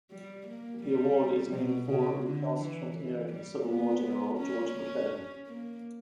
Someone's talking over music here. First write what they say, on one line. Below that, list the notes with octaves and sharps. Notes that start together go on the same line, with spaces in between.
The award is named for recalcitrant American Civil War general George McClellan.
G3
A#3
G3
B2
C#3
D3
E3
E3
G3
B3
C#4
A#3